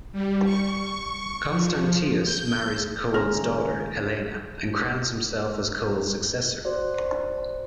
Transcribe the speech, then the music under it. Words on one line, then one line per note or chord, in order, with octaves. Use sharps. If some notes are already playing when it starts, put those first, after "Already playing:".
Constantius marries Coel's daughter, Helena, and crowns himself as Coel's successor.
G3
C#6
F3
G6
C#2 D#3 C#4 A#4
F#4 C5 D5